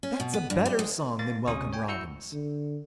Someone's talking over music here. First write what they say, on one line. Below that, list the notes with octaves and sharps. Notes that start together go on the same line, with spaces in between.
That's a better song than Welcome Robin's.
C#4
B2
B3
G2
G4
G#3
A#3 A6
D2 C3 C#4 C#6 D#6
C#5 G5 G#5
E4 F#4 E6 G6 C#7
D3